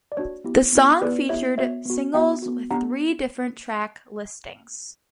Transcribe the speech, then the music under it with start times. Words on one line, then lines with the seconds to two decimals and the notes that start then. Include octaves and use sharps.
The song featured singles with three different track listings.
0.12 D5
0.17 A#3 D4 F#4 C#5
0.44 B3 E4 G4
0.73 B3 E4 G4
1.02 B3 E4 G4 B4 D5
1.29 B3 E4 G4 C#5 E5
1.58 B3 F#4 C#5 E5
1.86 B3 F#4
2.14 B3 F#4 E5 G5
2.42 B3 F#4
2.71 B3 D4 G4 F#5 A#5